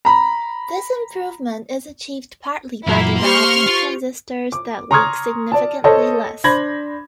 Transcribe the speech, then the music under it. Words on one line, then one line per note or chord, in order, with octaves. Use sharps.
This improvement is achieved partly by developing transistors that leak significantly less.
A#5 B5
F#2 A#2 E3 A#3 E4 A#5
G4 C5 C6 C#6 F6
F4
D6
A#5 C6 C#6 D#6 F6 G#6
D5 A5
A4 C5 C#5 D#5 A5
D4 C5 B5 G#6 A#6 F#7